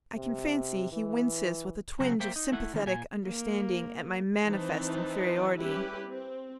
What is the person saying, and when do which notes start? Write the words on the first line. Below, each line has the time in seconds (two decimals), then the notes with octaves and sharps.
I can fancy he winces with a twinge of sympathetic understanding at my manifest inferiority.
0.16 C3
0.92 E3
2.00 C#3 F#3 C4 F#4
2.20 A#3 C5 E5 G5
2.36 D#4
2.52 A3 E4 F#5
2.74 D#3 E3 G3 G#3 C#4
2.86 A#2 G#5
3.27 A#3
4.45 E3 C4 D#4 C5 A5
5.57 G3 C#4 E4 G4 B4
6.07 C4